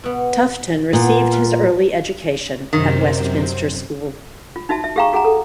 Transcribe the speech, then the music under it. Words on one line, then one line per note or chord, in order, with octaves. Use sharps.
Tufton received his early education at Westminster School.
B2 B3
A#2 B3
B4 F5
F#2 C3 D#3 C4
F4
D#4 F#4 E5 A5
E5
G4 G#4 F5 G5 A#5 C#6
F#4 G#4 F#5 G#5 A#5
A4